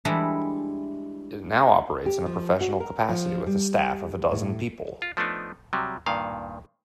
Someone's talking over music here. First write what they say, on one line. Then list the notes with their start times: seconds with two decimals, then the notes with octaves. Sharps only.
It now operates in a professional capacity with a staff of a dozen people.
0.05 E3 G3 G#3 D4 E4 A4
2.06 G4
2.26 F3
2.61 F#4
2.80 A#4
3.09 F3
3.47 G3
4.32 A2
5.02 F4
5.17 F3 A3 B3 D4 D#4
5.73 C3 F#3 G3
6.06 G2 A#2 D#3 F5